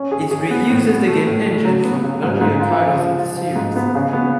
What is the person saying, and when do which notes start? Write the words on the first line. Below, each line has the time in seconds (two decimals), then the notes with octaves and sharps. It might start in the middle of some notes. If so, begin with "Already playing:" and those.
It reuses the game engine from earlier titles in the series.
Already playing: C#4
0.11 G#4
0.31 G#4
0.51 B3
0.70 A2
0.89 B3
1.08 A3
1.27 A2
1.46 A3
1.64 F#3
1.84 B3
2.03 C#3
2.23 G#2
2.41 G#2
2.61 F4
2.80 F3
2.98 F3
3.19 F3
3.37 F3
3.56 G#2
3.76 B3
3.95 C#3
4.13 B3